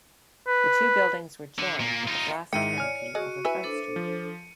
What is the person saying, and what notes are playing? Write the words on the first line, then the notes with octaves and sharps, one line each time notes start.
The two buildings were joined with a glass canopy over Front Street.
B4
D3
A#2 A#3
D#4 F4
G#2 D#3 G#3 E4 G5 C#7 D#7
C#5 D5 G#5 F6
F#4 G#4 D#5 C#6
E4 B4 E5 G#5
D4 A4 C5
F3